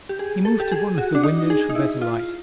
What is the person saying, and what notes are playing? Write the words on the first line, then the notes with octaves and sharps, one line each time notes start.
He moved to one of the windows for better light.
G4
G#4
A4
G4
G#4
F#4
D4
D#4
G#4
D#4
E4
F4